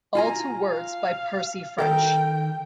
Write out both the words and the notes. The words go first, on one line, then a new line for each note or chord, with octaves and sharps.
All to words by Percy French.
F4 G#5 A#5
F5
D#3 A4 A#4 G5